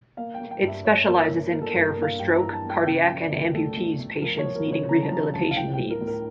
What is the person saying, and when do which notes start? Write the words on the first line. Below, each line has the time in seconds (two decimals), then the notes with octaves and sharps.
It specializes in care for stroke, cardiac and amputees patients needing rehabilitation needs.
0.17 A#3 F5
0.34 G5
0.40 A#3
0.51 G5
0.62 G2
0.68 E5
0.85 G2 C#5
1.07 A#3 A#4
1.30 E3
1.52 A#3 A#4
1.62 A4
1.69 A#4
1.74 G2
1.86 A#4
1.97 A#3
2.02 F5
2.19 G2 G5
2.36 A#5
2.42 E3
2.53 A5
2.65 A#3
2.70 G5
2.87 C#3 G5
3.04 G5
3.09 F3
3.20 D5
3.32 D2
3.37 A#4
3.54 A3 A4
3.76 A3
3.99 A3
4.22 F3 A#4
4.39 C#5
4.44 F3
4.55 A#4
4.67 C#3
4.72 C#5
4.89 C#3 A#5
5.03 A5
5.12 F3 A#5
5.34 D2 A5
5.51 F5
5.56 E3 G5
5.73 G5
5.79 A2
5.90 A#4
6.01 A2
6.07 A#4